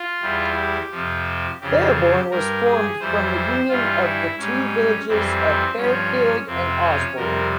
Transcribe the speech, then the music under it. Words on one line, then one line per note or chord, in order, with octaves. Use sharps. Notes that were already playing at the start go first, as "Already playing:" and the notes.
Fairborn was formed from the union of the two villages of Fairfield and Osborn.
Already playing: F4
E2 E3 G3
G4
F2 C3 F3
F2 C#3 F3 G4
G2 G3 A#4
G#4
F2 E3 G3 C5
G2 E3 G3 F4
E4
G#2 G3 C#4
F2 E3 G3 C4
G2 F3 C#4
F2 C3 F3 C4
C#4
F2 C3 G3 A#4